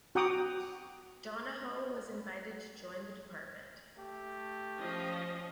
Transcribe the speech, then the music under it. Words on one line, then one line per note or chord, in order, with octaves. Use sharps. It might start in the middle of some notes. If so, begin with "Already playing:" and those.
Donahoe was invited to join the Dept.
F#4 F#5 G5 A#5 D6 D#6
A3 G4
F3 C#4 D#5